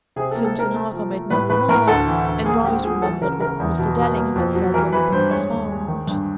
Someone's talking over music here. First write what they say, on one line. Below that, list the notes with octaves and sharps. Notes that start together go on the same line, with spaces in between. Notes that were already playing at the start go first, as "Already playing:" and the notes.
Simpson Harker made no remark, and Bryce remembered what Mr. Dellingham had said when the book was found.
C3 G#4
A4
A#3
A4
C3 A#4
A3
F3
A3
A2 B4
A2 B4
A2 A#4
D2 A4
E3
D2
A#3 G#4
G#2 G4
F3 G#4
E3 A4
C#3 A#4
C#3 A#4
E2
B2
B2
A#3
F2
F#3
E3 A#4
E3 B4
G2 C5
G#3 C#5
D#2
G#3
D#3
G2